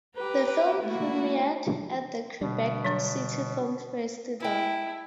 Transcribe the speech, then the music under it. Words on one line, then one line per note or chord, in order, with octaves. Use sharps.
The film premiered at the Quebec City Film Festival.
G4 B4 A#5
A3 A#3 E4 F#4
B2 D3 G3
F#3 D4
E4 G5 A5